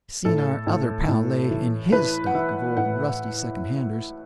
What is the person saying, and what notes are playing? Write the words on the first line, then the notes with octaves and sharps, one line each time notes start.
I seen our other pal lay in HIS stock of old rusty second-handers.
A2 A4
A2
A2
E3
E3 B4
F#5
E3 E5
A2 F#5